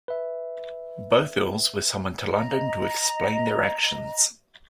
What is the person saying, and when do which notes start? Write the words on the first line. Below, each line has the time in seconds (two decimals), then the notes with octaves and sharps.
Both earls were summoned to London to explain their actions.
0.08 B4 E5
2.31 D#5 A#5